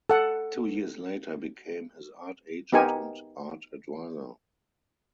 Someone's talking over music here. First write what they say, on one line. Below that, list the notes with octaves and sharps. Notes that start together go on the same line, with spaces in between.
Two years later became his art agent and art advisor.
A4 F#5
B3 D#4 G4 A#4 G#5